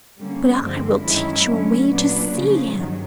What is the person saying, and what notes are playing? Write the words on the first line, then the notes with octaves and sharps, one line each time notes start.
But I will teach you a way to see him.
D3 G3 A#3 C#4
G2 D3 F3 G#3 C4
F#2 D#3 G#3 C#4 E4
D3 F#3 A3 C#4
A#2 F#3 B3 D4
C#3 F3 A3
G2 D#3 F#3